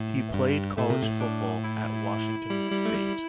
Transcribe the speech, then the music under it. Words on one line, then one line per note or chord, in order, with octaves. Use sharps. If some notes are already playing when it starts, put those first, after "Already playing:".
He played college football at Washington State.
Already playing: A2
E3
G2 G3
A2 A3
C3
A2
D4
E4
G3
G3
A3
G3